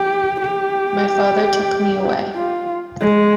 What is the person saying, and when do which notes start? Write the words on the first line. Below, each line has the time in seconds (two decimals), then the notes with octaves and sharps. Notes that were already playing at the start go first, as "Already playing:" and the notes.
My father took me away.
Already playing: G4
0.40 G4
2.36 F4
3.01 G#3